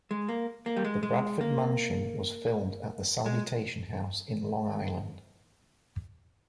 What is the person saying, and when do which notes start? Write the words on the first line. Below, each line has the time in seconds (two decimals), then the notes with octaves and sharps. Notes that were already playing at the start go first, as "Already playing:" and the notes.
The Bradford Mansion was filmed at the Salutation House in Long Island.
0.11 G#3
0.29 A#3
0.66 A#3
0.76 G3
0.85 G#3
1.03 G#3
1.41 A#3
3.26 G#3